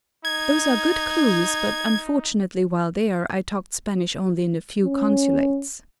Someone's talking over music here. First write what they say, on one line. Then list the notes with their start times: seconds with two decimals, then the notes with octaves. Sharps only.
"Those are good clues, but unfortunately while there I talked Spanish only in a few consulates."
0.25 D#4 G#6
4.85 C#4